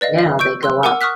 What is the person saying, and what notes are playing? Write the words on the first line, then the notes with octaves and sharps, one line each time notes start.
Now they go up.
B4 D5 D#5 F5
F5
C#6 E6 G6 D7
C6 E6 F#6
A#4 F#5 G#5 D6 E6
C#6 D#6 F6 F#6 B6